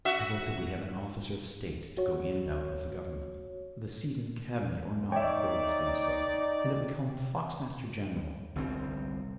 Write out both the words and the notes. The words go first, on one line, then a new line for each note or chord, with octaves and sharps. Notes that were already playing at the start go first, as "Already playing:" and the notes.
I vote that we have an officer of State, to go in and out with the Government,--with a seat in the Cabinet or not according as things go, and that we call him Foxmaster-General.
F#4 E5
F#4 C#5
D#4 C#5 D5 E5 G5
G1 C2 C#3 C4